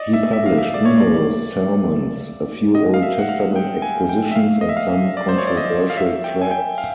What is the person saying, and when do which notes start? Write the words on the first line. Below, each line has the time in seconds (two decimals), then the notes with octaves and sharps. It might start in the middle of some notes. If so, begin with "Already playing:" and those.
He published numerous sermons, a few Old Testament expositions and some controversial tracts.
Already playing: D5 D#5
0.13 E5
0.33 E5
0.46 F5
0.58 E5
0.74 D5
0.85 C#5
0.98 D5
2.75 D#5
2.94 F5
3.02 E5
3.18 F#5
3.29 F5
3.56 G5
3.82 G#5
4.09 G5
4.31 E5
4.36 F5
4.61 D#5
4.69 E5
4.77 F5
5.17 D5
5.29 C5
5.38 C#5
5.47 D5
5.57 D#5
5.90 F5
5.97 E5
6.24 G5
6.42 G#5
6.51 G5
6.78 F5